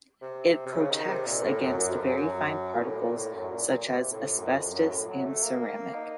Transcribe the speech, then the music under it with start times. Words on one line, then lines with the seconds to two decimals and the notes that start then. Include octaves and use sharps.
It protects against very fine particles such as asbestos and ceramic.
0.22 C3
0.66 C3
0.74 C#3
0.91 D#3
1.09 C3
1.26 A#2
1.43 A2
1.60 F#2
1.78 F#2
1.91 F2
2.04 F#2
2.17 F#2
2.75 A#2
2.82 A2
3.00 A#2
3.17 A2
3.34 F#2
3.51 A#2
3.69 A#2
3.86 C3
4.12 A2
4.38 F#2
4.55 F2
4.72 F#2
4.91 A2
5.08 F#3
5.25 A3
5.43 A#3
5.95 D#4